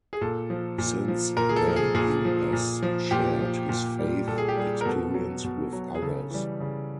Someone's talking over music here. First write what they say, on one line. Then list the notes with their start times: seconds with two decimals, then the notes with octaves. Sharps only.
Since then, he has shared his faith experience with others.
0.13 G#4
0.21 A#2 A4
0.50 F3
0.78 A#2
1.08 F3
1.37 A#2 A#4
1.49 G#4
1.56 A4
1.67 F3
1.76 G#4
1.95 A#2 G#4
2.25 F3
2.53 A#2
2.83 F3
3.11 A#2 G4
3.40 F3
3.69 A#2
3.99 G3
4.28 A#2 A4
4.38 G#4
4.49 G4
4.57 G3 G#4
4.81 A#4
4.85 B2 A4
5.14 F#3
5.44 B2
5.73 F#3
5.95 G#4
6.02 C#3 A4
6.31 E3 G3
6.60 C#3